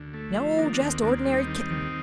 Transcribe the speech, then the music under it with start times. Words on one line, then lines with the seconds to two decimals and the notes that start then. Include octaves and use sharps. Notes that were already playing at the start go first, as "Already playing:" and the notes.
"No; just ordinary kitten."
Already playing: D2
0.14 A3
0.36 F3
0.58 D#3 A#3 D4
0.73 A#3 D4
0.81 D#2
0.87 C4
1.02 D#2 A#3 D4
1.18 C4
1.25 G3
1.32 C4 D#4
1.47 D#3
1.70 D#2